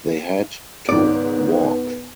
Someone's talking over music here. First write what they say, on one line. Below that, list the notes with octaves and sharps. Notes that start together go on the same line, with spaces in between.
They had to walk.
C#2 G#2 D#3 B3 D5